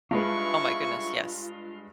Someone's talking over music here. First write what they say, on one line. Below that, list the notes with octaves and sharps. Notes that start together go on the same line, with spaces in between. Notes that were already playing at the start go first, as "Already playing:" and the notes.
Oh my goodness, yes.
G2 G#3 E4 F4 B4 C#6